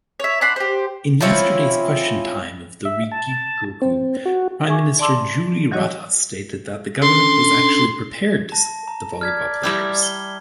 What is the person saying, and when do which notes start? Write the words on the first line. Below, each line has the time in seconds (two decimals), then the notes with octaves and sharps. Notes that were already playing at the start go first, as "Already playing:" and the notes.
In yesterday’s Question Time of the Riigikogu, prime minister Jüri Ratas stated that the government was actually prepared to support the volleyball players.
0.20 C#5 E5
0.41 D4 F#5 B5 C6
0.56 G4 C5
1.21 F3 C4 C#4 E4
2.85 E5
3.11 A5
3.82 C4
4.26 F#4
4.67 G#4 E5 G#5 C#6 D6
4.99 D5 A5 C6 D6 E6
5.71 E3 F#3 G3 F#4 C#5 D#5
7.02 C#4 D4 A4 C6
8.52 A5 A#6
8.88 A#5
9.21 D5 F6 G#6 B6
9.63 G3 E4 G4
10.03 G7